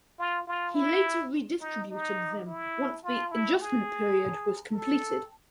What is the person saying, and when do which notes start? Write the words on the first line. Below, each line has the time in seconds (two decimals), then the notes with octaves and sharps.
He later redistributed them once the adjustment period was completed.
0.19 F4
0.47 F4
0.75 E4
1.61 D#4
1.90 D#4
2.46 E4
3.04 F4
3.32 E4
3.60 G#4
4.74 A4